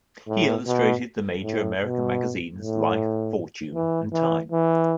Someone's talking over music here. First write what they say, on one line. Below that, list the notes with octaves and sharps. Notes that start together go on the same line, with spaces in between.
He illustrated the major American magazines "Life", "Fortune", and "Time".
A2
B2
A2
B2
A2
E3
E3
E3